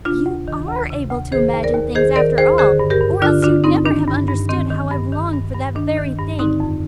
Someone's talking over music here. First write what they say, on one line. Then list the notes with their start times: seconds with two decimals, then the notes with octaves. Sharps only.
You ARE able to imagine things after all or else you'd never have understood how I've longed for that very thing.
0.05 C3 D4 F4
0.26 D2
0.48 D#3
0.69 D2
0.90 C3
1.10 D2
1.32 D#3 G#4 C5
1.54 D#2
1.63 A#4 D5
1.74 D#2
1.95 D#3 G#4 C5
2.16 D#3 A#4 D5
2.38 D#2 G#4 C5
2.58 D3 G#4 C5
2.80 G2
2.90 G4 A#4
3.01 G2
3.22 D3 D4 F4
3.43 D3 D4 F4
3.64 G2 C4 D#4
3.86 D#3 D4
4.07 G2
4.28 G2
4.49 D#3 C4
4.70 D#3
4.91 G2
5.12 D#3
5.33 G2
5.54 G2
5.76 D#3 D4
5.97 D#3
6.18 G2
6.39 D3 C4 D#4
6.60 F2